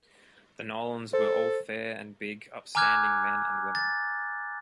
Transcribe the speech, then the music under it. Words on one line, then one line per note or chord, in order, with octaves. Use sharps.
The Nolans were all fair and big, upstanding men and women.
A4 C5
G#5 A#5 D6 F6 F#6 G#6
A6